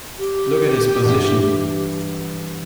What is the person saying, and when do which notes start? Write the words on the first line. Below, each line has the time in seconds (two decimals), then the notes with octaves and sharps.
Look at his position.
0.18 G4
1.04 G2 B2 E3